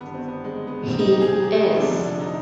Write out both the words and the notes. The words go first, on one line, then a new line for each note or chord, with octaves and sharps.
He is.
G#1 G2 D3 B3
C4
B3
G#3
B3
C2 B2 C4
D#4
G4
G#4
G#4
G4
G#3
B3
F1 F2 D3 F3 D4
D#4